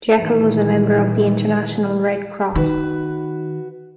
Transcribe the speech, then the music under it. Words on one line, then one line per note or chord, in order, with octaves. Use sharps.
Jeckle was a member of the International Red Cross.
A#2 D#3 E3 G3
D#3 F#4 B4